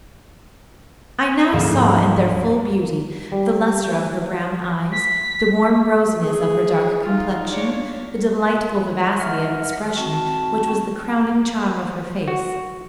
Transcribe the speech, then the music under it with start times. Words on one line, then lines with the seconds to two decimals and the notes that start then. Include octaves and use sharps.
I now saw, in their full beauty, the luster of her brown eyes, the warm rosiness of her dark complexion, the delightful vivacity of expression which was the crowning charm of her face.
1.52 D2 G#2 F3 A#3 F5 E7
3.32 G3
4.92 B6
6.19 G#4
7.04 D#4 F4
7.49 D4 C#5
9.20 D#5 E5 F#5 F6
9.97 C4 F#4 A5
12.28 F#4